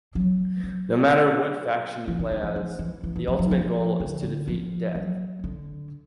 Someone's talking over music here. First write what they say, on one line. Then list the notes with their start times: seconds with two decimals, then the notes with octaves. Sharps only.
No matter what faction you play as, the ultimate goal is to defeat Death.
0.15 F#3
0.64 F#3
2.08 E3
2.19 D#3
2.31 D#3
2.43 E3
2.56 F3
2.79 E3
3.04 E3
3.16 E3
3.27 F3
3.39 F#3
3.51 F3
4.00 D3
4.23 D3
4.48 F3
4.95 F#3
5.44 D3